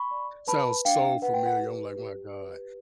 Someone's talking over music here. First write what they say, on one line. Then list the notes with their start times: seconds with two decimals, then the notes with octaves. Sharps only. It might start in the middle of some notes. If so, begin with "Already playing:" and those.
sounds so familiar. I'm, like, "My god,
Already playing: B5 C#6
0.11 D5
0.47 B4 A5 B5
0.85 D4 F5 G5
1.22 B4 F#5
1.34 G5
1.46 F#5
1.60 G4
1.96 G4
2.33 B4